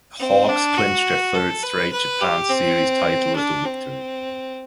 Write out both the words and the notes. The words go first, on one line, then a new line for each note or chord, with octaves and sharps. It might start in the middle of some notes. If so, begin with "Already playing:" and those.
The Hawks clinched their third straight Japan Series title with the victory.
C4
D4
F#4
A4
B4
B4
G4
C4
D4
C4